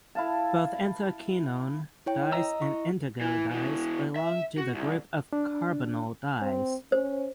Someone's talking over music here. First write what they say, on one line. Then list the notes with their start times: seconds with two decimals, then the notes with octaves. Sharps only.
Both anthraquinone dyes and indigo dyes belong to the group of carbonyl dyes.
0.15 E4 F5 A5
2.06 E4 C#5 G5
2.32 D#5 A#5 E6
2.62 E4 C#6
3.21 E3
3.51 B2 E3
4.16 E5
4.57 F#4
4.74 C2
5.33 D4
6.42 C4
6.92 C#4 C5